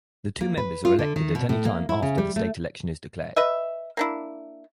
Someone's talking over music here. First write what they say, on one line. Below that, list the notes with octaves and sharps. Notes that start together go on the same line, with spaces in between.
The two members are elected at anytime after the state election is declared.
A#3
B4
F4
D3
D#3
B2
A2
A#3
E4
C#3
G3
A3
B4 D#5 E5
A#3 D4 E4